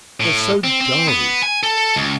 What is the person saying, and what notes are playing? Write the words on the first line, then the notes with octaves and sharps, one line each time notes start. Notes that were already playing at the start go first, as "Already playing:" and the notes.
"They're so dull."
A2
C4
C4
B3
G#5
A4
C#2